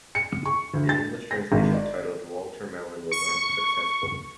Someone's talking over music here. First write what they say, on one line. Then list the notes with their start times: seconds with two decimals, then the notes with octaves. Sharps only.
An English translation titled "Walter Melon" was unsuccessful.
0.15 C#7
0.46 C#6
0.74 D2
0.89 A6
1.31 A#6
1.52 G#1
1.74 D5
3.11 C#6